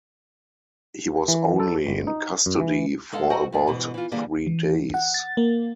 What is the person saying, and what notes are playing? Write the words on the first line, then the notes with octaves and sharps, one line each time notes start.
He was only in custody for about three days.
E3
A4
G1
D#4
F#2
E3
G#3 A4 F5 F#5 A5
F#4 A4 C5 D#5 F#5 G5
G2 G#3 D5
G#2 B2 E3
E3 F4
D3 E3 G3 A#3 G#4 D5
E3
F#5
A6
A#3